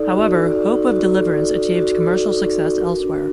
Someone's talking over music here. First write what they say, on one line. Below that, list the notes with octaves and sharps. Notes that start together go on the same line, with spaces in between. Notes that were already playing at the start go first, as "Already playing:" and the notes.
However, "Hope of Deliverance" achieved commercial success elsewhere.
Already playing: D#4 A4 D5
F#4
A4
D5
D#4
F#4
A4
D5
D#4
F#4
A4
D5
D#4
F#4
A#4
D4